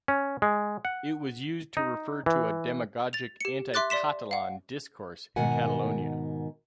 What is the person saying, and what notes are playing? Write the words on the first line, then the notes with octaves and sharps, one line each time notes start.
It was used to refer to a demagogic anti-Catalan discourse in Catalonia.
C#4
G#3
F#5
D#4
E3
A6 F7
G4 C#7
E5 C6 D6 F#6 A6
D5 C6 B6 E7
F5 F#5
G#2 B2 D#3 A#4 F#5 G#5